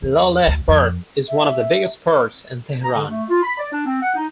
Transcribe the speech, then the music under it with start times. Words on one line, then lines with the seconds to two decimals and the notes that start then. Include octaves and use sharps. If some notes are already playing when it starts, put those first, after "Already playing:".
Laleh Park is one of the biggest parks in Tehran.
0.02 E2
0.47 D2
0.68 F2
1.28 E5
2.83 A#5
2.95 D3
3.09 A3
3.30 F4
3.43 B5
3.58 D5
3.72 D4
3.86 C4
4.02 F#5
4.15 D#4